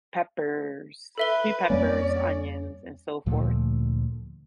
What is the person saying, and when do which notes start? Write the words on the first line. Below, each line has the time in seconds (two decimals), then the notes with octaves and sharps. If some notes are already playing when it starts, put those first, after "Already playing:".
peppers, sweet peppers, onions, and so forth.
1.18 A4 B4 E5 G7
1.70 F2 G3 A#3 C#4 D5
3.26 D2 A#2 F3 A3